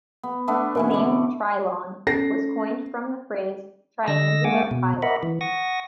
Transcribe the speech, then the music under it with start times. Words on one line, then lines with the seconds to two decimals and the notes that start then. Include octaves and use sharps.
The name "Trylon" was coined from the phrase "triangular pylon".
0.23 B3
0.48 A3 B3 D4
0.75 B2 E3 C#4
0.91 D3 D5
2.07 C#4 A4 A#6 C7
4.08 D3 D#5 E6 A#6
4.44 G#3 A#3 F#5 G#5 D6
4.71 B2
5.02 A#4 D#5 E5 F#5 B5
5.23 E3
5.41 F#5 C#6 D#6 A#6